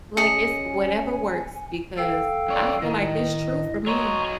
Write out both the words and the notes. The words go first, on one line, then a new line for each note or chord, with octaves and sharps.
like, it's whatever works because I feel like it's true for me.
C#4 G#4 D#5 G#5 C#7
A4 F5 G5
F#2 C#5 D5
A2 D#3 D#5
F#3 C#5 D#5 A#5 C6 C#6